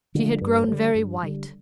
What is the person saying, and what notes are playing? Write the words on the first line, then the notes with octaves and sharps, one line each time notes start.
She had grown very white.
D3 F3 A3
G2
D3 G3
G2
D3 G3